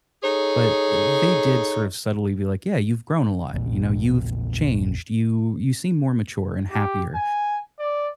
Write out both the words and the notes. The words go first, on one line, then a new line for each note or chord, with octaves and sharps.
But they did sort of subtly be like, "Yeah, you've grown a lot," you know, "You've changed, you you seem more mature, and happier."
D#4 G#4 A4 C#5
A#1 E2 A#2
G4
G#5
D5